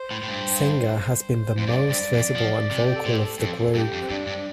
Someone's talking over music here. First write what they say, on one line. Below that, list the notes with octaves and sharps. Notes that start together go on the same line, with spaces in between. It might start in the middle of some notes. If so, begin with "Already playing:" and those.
Singer has been the most visible and vocal of the group.
Already playing: C5
A2
A2
G2
F2 C5
G2 D5
G2
F2
F3
C3
G4
A4
A2 C5
G4
A4
F2 A4
C5
A4
G2 G4
F2
C4
G2 D4
G2